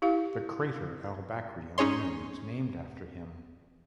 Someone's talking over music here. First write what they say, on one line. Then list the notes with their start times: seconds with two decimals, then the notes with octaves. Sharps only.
The crater Al-Bakri on the Moon is named after him.
0.02 E4 G4 F5
1.78 C#4 D#4 G#4 C#5 C6